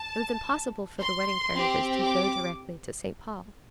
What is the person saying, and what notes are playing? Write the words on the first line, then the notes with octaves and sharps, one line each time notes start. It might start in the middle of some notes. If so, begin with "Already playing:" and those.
It was impossible for the wedding carriages to go directly to Saint-Paul.
Already playing: A5
C6
C4 G4
D6